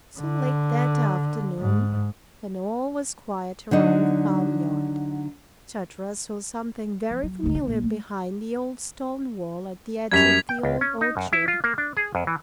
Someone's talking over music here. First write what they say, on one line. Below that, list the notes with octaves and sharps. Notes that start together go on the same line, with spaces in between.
So late that afternoon, when all was quiet around the farmyard, Chatterer saw something very familiar behind the old stone wall at the edge of the Old Orchard.
D3
G#2
D3 F#3 D#4
F3
F#3
D2 G#2
D#3
A#1
A3
F#2 G3 G#6 B6 F7
G5
C#2
C#4
D#4
F#2
E4
F4
A#3
D4
G#4
F2
E3